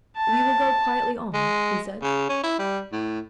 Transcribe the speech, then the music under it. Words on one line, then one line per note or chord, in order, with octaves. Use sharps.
"We will go quietly on," he said.
A5
G#3
C#3
C#4
E4
G3
A2